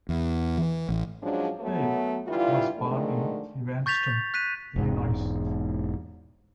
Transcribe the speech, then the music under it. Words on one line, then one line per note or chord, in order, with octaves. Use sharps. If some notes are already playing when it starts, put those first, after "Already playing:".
Hale was born in Evanston, Illinois.
E2
E3
A1
F3 F#3 G#3 C#4 D4
F#2 F#3 A3 B3
D3 E3 G3 E4 F4
D3 D#3 F3 G#3 A3
C#6 G6 A6 B6 F7
F#6 B6 D#7
E1 G#2